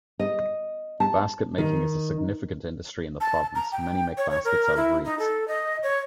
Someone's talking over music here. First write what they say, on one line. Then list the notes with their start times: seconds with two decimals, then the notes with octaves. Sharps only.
Basket-making is a significant industry in the province; many make baskets out of reeds.
0.19 D#5
1.00 A5
1.58 D#3
3.21 A5
3.55 A#5
3.72 G5
4.18 C#5
4.30 C#5
4.45 A#4
4.77 E4
5.05 D#4
5.19 A4
5.48 D#5
5.83 C#5